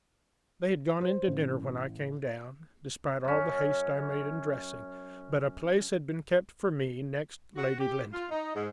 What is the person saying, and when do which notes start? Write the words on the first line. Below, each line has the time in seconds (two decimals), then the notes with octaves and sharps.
They had gone into dinner when I came down, despite all the haste I made in dressing; but a place had been kept for me next Lady Lynton.
1.01 C5
1.27 A1
3.24 F#2 C#4
7.56 F#4
7.79 G4
8.12 F4
8.31 D#4
8.54 G#2